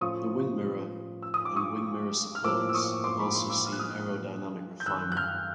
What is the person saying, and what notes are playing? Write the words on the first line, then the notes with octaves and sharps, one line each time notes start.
The wing mirror and wing mirror supports have also seen aerodynamic refinement.
A2 F3 A3 C#4 F4 C#6 D#6
E6
D#6
D6
C#6 D#6
F6
A2 F3 A#3 D6 E6
E6
C#6 D#6
C6 D6
B5 C#6
C6 D6
D6 E6
F6
F#6
D#6 F6
G6
F#2 D#3 F#3 E6 F#6
F#6
F6 G6